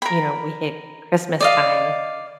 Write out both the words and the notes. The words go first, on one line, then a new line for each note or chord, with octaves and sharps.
you know, we hit Christmastime
A#4 B5
D5 D#5 F5